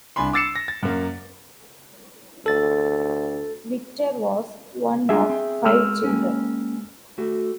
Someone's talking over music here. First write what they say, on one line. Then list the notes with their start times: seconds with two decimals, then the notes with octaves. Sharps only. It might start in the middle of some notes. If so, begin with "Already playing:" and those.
Victor was one of five children.
0.16 C2 D4 G#5 B5 C6
0.33 D6 E6 A6 C7 C#7 E7
0.56 A#6
0.68 A6
0.83 F#2 A#3
2.46 D2 A4 A6
5.09 G3 D4 F4 G#4 E5
5.30 C4
5.65 G#3 E6 F6
6.04 A#3 C#4
7.18 A3 F#4